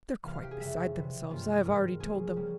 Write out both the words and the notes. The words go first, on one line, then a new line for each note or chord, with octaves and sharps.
"They're quite beside themselves; I have already told them..."
C3 E3 A#3 F5
F5
G4
G#4
F2 C#3 G3 E5
C3 E3 G3
G2 E3 A#3 C#4 F4
G#2 G3 C4 A#4
C#3 F3 A#3 C#4 G#4
C#3 G3 A#3 C#4